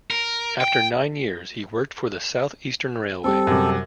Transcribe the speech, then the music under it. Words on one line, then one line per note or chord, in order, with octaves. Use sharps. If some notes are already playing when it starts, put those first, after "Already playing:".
After nine years, he worked for the South Eastern Railway.
A#4
G5
G3 C4 A4
F#2 C3